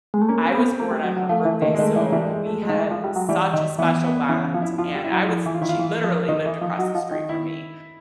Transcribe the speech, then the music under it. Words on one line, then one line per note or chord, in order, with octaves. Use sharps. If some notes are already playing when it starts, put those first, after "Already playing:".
I was born on her birthday, so we had such a special bond, and I was she literally lived across the street from me,
G#3
A3
A#3 C#4
C4
B3
A3 A#3
G3
F#3
F#3
F3 A3
E3 A3
D#3 A#3
G#3
D#3 A3
E3
E3 G3
G#3
A3
G#3
D#3
E3
F3
G3
F#3
E3 G3
D#3
E3 B3
B3
E3 C#4
F3
E4
F3 F4
G3
E4
F#3
F3 E4
E3
F4
D#3 E4
F4
E3
F3
D#3 D#4
E3
F3
F#3
F3
D#3
E4